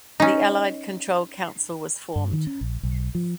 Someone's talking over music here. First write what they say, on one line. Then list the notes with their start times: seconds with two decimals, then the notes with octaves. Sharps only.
The Allied Control Council was formed.
0.20 C#4 D#4
2.16 G2
2.33 D#3
2.47 C#4
2.61 A#1
2.83 B1
3.15 F3